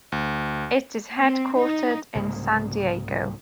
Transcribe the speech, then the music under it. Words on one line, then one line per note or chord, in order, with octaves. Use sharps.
It is headquartered in San Diego.
D2
C4
D#4
C2 G#2 C#3 A#3